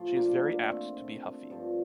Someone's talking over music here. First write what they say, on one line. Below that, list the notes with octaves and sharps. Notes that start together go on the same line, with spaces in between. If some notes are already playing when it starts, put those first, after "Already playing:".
She is very apt to be huffy.
Already playing: A2 F3 F4
A#3 D4
A#3 D4
A3 C4
G2 F3 G3